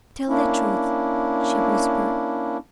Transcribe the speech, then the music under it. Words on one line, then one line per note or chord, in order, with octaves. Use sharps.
"Tell the truth," she whispered.
A#3 C#4 D4 E4